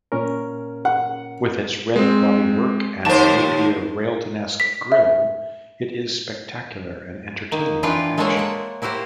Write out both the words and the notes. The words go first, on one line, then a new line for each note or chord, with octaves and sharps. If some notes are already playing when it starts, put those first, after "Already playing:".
With its red bodywork and Napier-Railton-esque grille, it is spectacular and entertaining in action.
A#2 C#4 A#4
F#5
G#3 C4
D#2 C5 A5 E7
B6
E5
D#3 A#3
E3 D4 F4 B4 F5 G5
G#3 A#3 A4 C5 C#5 E5
A#3 F#5
A#3 E4 F#4 G4 C5